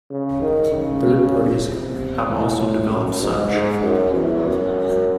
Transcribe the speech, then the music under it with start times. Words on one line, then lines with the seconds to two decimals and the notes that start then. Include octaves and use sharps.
Third parties have also developed such.
0.10 C#3
0.41 D#3
0.73 C#3
1.65 C3
2.29 A2
2.90 F#2
3.21 G#2
3.53 G#2
3.84 F#2
4.15 E2
4.46 F#2